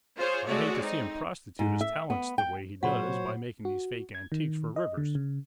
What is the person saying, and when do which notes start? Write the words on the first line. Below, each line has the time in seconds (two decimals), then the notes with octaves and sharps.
I hate to see him prostitute his talents the way he does by making these fake antiques for Rivers.
0.18 F4 G#4 C5 C#5
0.47 G#3 A3 F#4 A4 C#5 D5
0.80 C4 D#4
1.59 G#2
1.81 E5
2.10 B3
2.38 G5
2.83 A#2 F#3 C5 C#5 F#5 B5
3.65 F#4
4.15 G#6
4.32 D#3
4.76 D#5
4.97 D3
5.15 C#3